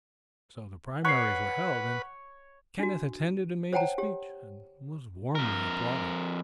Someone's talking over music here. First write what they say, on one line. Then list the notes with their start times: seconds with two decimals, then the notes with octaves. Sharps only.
So the primaries were held and Kenneth attended and made a speech, and was warmly applauded.
1.05 B4 C#5 F#5 C#6 F#6 C7
2.79 D4 F#4
3.73 C5 C#5 F#5 G5 A5 A#5
3.98 G4 C#5
5.35 F2 A#4